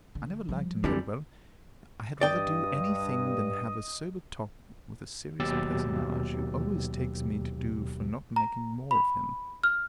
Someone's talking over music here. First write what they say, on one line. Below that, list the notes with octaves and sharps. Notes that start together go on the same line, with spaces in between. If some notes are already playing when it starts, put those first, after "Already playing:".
I never liked him very well; I had rather do any thing than have a sober talk with a serious personage, who always takes me to do for not making more of him.
D3
F3 G3
D3 E3 G3 C4
G2 D5 D#5 G5
D#2 B2 F#3 G4 E6 A6
A#5
B5
F6